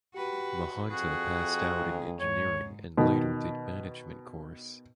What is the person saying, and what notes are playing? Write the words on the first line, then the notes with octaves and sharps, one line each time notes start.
Mahanta passed out in engineering and later did management course.
F#4 G4 B4
F2 F#4 G#4
G#2 C#5
B2 D#3